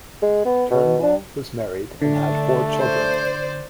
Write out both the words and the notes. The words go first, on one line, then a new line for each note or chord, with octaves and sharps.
Turnbull was married and had four children.
G#3
B3
B2
D4
D3 A3 D4
C5 D5